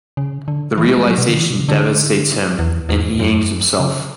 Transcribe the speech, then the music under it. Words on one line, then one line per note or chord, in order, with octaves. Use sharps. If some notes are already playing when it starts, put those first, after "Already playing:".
The realization devastates him, and he hangs himself.
C#3
D3
E3
G#3
G#3
F#3
B2
D3
E3
B2
C#3
D3
E2
E2
F#2
C#3